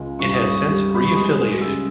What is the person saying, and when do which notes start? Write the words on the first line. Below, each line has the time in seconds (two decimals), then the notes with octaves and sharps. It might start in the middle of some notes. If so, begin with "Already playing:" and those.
It has since re-affiliated.
Already playing: C#2 G#3
0.19 G2 C#6
0.34 D#6
0.47 C#6
0.67 G3
0.95 B5
1.04 C#6
1.14 G#3 D#6
1.61 C#3 E6